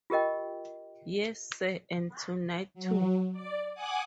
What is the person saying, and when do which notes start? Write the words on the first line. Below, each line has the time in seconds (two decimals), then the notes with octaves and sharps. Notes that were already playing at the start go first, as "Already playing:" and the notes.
Yes, sir, and tonight, too.
0.10 F4 G4 A#4 D#5 G5
2.74 F#3
3.33 D5
3.75 F#5 G#5 D6 D#6 F#6